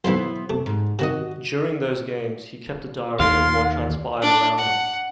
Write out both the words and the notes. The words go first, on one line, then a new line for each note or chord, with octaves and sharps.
During those games, he kept a diary of what transpired around him.
B1 A2 E3 B3 E4 C5
C3 A3
G#2
C3 D#3 F#4 D#5
D#2 F5 C6
D4
F#5